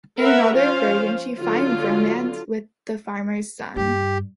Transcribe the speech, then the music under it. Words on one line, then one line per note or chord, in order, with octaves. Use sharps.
In another version she finds romance with the farmer's son.
A#4 B4 E5 F#5
F3 C#4 F4 C5 F5
D3 F#3 F4
G2 G4